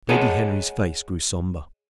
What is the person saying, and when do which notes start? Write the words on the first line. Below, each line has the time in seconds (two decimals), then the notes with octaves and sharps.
Lady Henry's face grew sombre.
0.09 G#4 C#5 D#5 F#5 G#5 A5